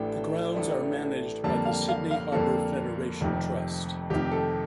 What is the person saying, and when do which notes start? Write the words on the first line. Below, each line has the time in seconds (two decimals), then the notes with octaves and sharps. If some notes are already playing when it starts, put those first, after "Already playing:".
The grounds are managed by the Sydney Harbour Federation Trust.
Already playing: A1 A2 A3 D4 G5
0.55 A1 A2 A3 D4
1.44 F2 D3 G3 A#3 A5
1.65 F5
1.88 F5
2.11 F5
2.32 F2 D3 G3 A#3 A4
3.21 F1 F2 C3 D#3
4.10 F1 F2 C3 D#3 G4
4.32 A4